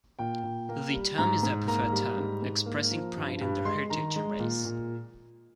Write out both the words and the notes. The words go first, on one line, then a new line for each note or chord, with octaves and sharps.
The term is their preferred term, expressing pride in their heritage and race.
A#2 G5
A#2
A#3
G3
G#2 A#5
G#2
A#3 A#5
G3
G#2
G#2
A#3
F3
G2
G2
G#3 C6
D#3 A#5
G#3
A#2
A#2